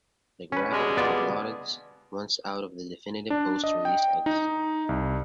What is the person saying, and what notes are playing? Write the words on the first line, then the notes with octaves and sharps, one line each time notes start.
The gravid proglottids once out of the definitive host release eggs.
C#4 B4
B2 G3 G#3
B3 F4 D5
D4
D#5
G5
D#4
C2